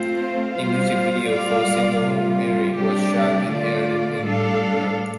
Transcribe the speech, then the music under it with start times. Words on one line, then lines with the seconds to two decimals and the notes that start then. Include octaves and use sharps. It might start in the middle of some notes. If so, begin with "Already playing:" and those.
A music video for the single "Merry" was shot and aired in Europe.
Already playing: A3 C4 F4 C5
0.55 G3 F4 C5 F5
1.29 G3 F4 D5 F5
2.03 C3 G3 F4
2.77 C3 G3 D4 G4 D5
3.50 D3 A3 F4 D5
4.25 A2 G3 D4 A4 F5